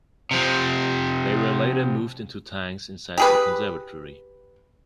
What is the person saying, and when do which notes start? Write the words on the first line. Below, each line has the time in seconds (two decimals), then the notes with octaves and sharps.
They were later moved into tanks inside the conservatory.
0.31 C3 F3
3.18 G4 G#4 B4